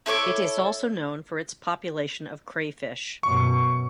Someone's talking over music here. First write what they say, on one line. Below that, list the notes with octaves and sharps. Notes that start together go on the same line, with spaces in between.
It is also known for its population of crayfish.
E4 A4 C#5 D6
F#2 B2 C#6